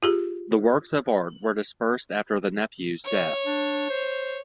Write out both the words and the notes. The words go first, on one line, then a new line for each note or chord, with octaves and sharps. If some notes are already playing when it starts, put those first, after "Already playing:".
The works of art were dispersed after the nephews' deaths.
F4 G4 G#4
C#5
D4
C5